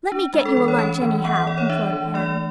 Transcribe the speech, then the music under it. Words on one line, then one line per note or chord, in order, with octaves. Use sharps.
"Let me get you a lunch anyhow," implored Anne.
D4
G#3
A4
E3 A4
C#5
C#4 B5
E3
B3 F#5
F#5
E3 D5
C#5
D4 E5
E3
A3 D5